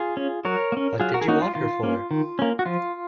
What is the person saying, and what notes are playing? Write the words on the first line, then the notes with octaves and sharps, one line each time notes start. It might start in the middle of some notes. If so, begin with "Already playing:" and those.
What did you want her for?
Already playing: F4 G#4
C#4
F#3 A#4 C#5
A#3
C#4
F#3 F4 G#4
F#4 A#4
G#4
A#3 C#4 D#4 F#4
F4
D#3 F4
A#3 C#4
D#3
A#3 C#4
F#4
F3 F4